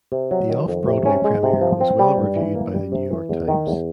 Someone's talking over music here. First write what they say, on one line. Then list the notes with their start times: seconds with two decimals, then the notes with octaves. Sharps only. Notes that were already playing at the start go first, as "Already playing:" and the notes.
The Off-Broadway premiere was well reviewed by the "New York Times".
0.12 C3
0.31 F#3
0.49 D#3
0.68 F2
0.87 C3
1.06 C#4
1.24 G#3
1.43 C3
1.61 F3
1.81 C4
1.99 G3
2.18 G2
2.36 E3
2.55 A#3
2.74 G3
2.92 C3
3.11 E3
3.29 E2
3.48 D#3
3.67 E2